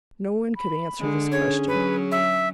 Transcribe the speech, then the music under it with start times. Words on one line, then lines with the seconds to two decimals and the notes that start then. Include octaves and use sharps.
No one could answer this question.
0.56 B5
1.00 D3 G#3
1.31 C#4 G#4 C#5
1.67 F#3 B4
2.11 E5